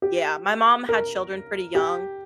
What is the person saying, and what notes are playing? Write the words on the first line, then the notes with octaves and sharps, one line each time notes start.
Yeah, my mom had children pretty young,
G4
A#4
G4